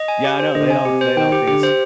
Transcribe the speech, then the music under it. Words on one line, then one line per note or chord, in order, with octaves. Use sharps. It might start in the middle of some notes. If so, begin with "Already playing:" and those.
Yeah. I know, they don't they don't the ins
Already playing: D#5
G#5
G4
C5
D3 D#5
G#5
C3 G4
C5
D#3 G5
G4
D3 G4
C5